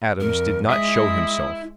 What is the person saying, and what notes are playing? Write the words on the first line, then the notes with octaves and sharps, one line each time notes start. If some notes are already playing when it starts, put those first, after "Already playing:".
Adams did not show himself.
F2 A#4
G#3 E4 E5 D#6